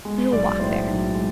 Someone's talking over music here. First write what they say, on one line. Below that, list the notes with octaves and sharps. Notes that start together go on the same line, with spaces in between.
"We will walk there."
G#3
B1 D5
A2 C5
B1
G#3